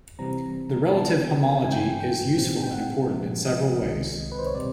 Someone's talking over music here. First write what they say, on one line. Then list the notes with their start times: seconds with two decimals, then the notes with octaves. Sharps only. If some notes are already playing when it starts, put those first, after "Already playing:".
The relative homology is useful and important in several ways.
0.19 C3 E3 G3 C4 A#5
0.91 B2 G3 B3 D4 A5
1.63 G2 E3 G#3 C#4 G#5
1.72 G5
1.81 G#5
2.00 G5
2.37 A#2 G3 C4
2.63 G5
2.73 F#5
3.09 A#2 F3 G#3
3.46 D#5
3.82 C2 C3 D#3 G#3
4.32 B4
4.39 C5
4.47 C#5
4.55 B2 G3 C4 D5